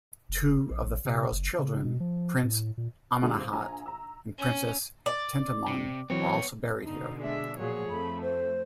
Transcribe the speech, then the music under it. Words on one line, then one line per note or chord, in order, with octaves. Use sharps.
Two of the pharaoh's children, Prince Amenemhat and Princess Tentamun were also buried here.
F1
A#1
A1
C3
F#1
C#3
B2
F3
A2
A#2
A#2 D3 G3 A3 G4 G#4
C4
A#1 G#5 A#5
A#5 E6
C#4
D5
C3
E3 F#3 B3 C4 C#5
B2 D3 D#4
G#3 D4 E5
A#2 F3 F#3 G#4 C#5
F2 A3 B5
C5